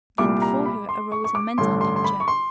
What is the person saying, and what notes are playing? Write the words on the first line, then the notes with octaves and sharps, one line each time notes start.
Then before her arose a mental picture.
C2 A#2 G3 D6
A#5
B5
C6
C#6
C#6
D6
A1 G2 D3 C6
C6
C6
B5
C#6
C6